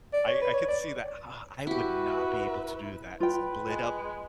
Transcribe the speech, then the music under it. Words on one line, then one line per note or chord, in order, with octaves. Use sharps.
I I could see that ah, I would not be able to do that, split up
D5
C#5
B4
C#5
D5
E4 F#4 G4 B4 E5
F4 B4 G5
G#3